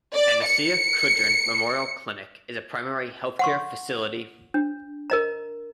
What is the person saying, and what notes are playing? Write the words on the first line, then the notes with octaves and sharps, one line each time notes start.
Anesia Kudrin Memorial Clinic is a Primary Health Care facility.
D5
C#7
F#5 C6 C#6
D4
A#4 D#5 A#5